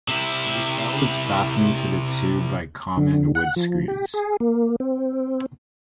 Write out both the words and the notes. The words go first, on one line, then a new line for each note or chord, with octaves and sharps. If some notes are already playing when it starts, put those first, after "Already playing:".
The cell is fastened to the tube by common wood-screws.
C3 E4
D3
F#5
F3
G4
G#4
A#3
C4